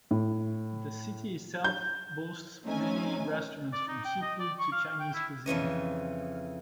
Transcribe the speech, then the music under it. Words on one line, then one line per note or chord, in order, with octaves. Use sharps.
The city itself boasts many restaurants from seafood to Chinese cuisine.
A2
G6
A3 C4 C#4 D#4 G#5
D5
D#4
G5
D#5
D5
C#6
F5
F5
G5
E4
F2 C#3 E3 D#5